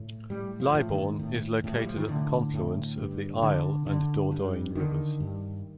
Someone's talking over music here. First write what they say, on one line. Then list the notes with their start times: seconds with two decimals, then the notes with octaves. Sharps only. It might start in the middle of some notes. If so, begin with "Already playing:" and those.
Libourne is located at the confluence of the Isle and Dordogne rivers.
Already playing: A2
0.30 A2 G3
0.60 F3
0.75 A2
0.89 D#3
1.19 A2
1.64 A2
1.73 G3
1.86 F3
1.97 D#3
2.08 A2 D3
2.54 A2
2.98 G2
3.42 D3
3.87 D3
4.32 G2
4.75 D3 D#3
5.20 G2